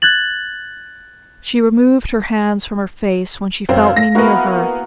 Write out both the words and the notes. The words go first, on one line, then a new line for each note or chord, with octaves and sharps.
She removed her hands from her face when she felt me near her.
F#6 G#6 A6 F#7
F#2 F#3 C4 F5 A5
A#6
A#3 B3 E4 F#4 A#4